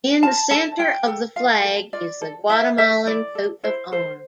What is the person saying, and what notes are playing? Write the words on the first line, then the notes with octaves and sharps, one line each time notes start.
In the center of the flag is the Guatemalan coat of arms.
F4 A5
A4 A5
F4 G5
A4
F4 F5
A4
F4 D5
A4
E4 E5
A4 E5
E4 D5
A4
E4 C5
A4 C5